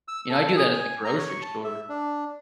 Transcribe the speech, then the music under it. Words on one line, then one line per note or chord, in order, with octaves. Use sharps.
You know, I do that at the grocery store.
E6
A4
G#4
G#5
A#5
C#5
C#6
A5
E5
D4